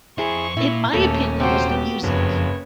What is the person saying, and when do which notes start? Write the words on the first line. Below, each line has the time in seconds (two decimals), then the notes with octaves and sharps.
in my opinion, was the music,
0.18 F2 E4 G#4 C5 C#6
0.57 A#2 E4
0.93 D#1 A3 A#3 C#4 A4
1.40 C3 F4 F#4 C5 G5
1.71 B3 G4
2.03 F#1 F2 B4 C#5